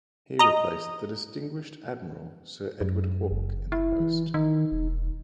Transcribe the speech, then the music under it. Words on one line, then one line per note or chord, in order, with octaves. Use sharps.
He replaced the distinguished Admiral Sir Edward Hawke in the post.
D#5 A#5
F#2
F#1
E4
E3
D#3 D#4
E1